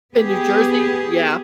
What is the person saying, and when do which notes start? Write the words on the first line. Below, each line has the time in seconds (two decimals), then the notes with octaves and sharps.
In New Jersey? Yeah.
0.14 B3 G4 G#4